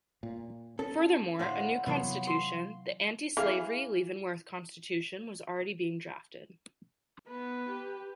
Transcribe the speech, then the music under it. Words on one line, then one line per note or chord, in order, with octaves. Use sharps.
Furthermore, a new constitution, the anti-slavery Leavenworth Constitution, was already being drafted.
A#2
C#4 A4
A2 D3 C5 F5 F#5
C3 E3 F#3 B3 C5 C#5
C6
E3 G#4 F5
B3 B4
G4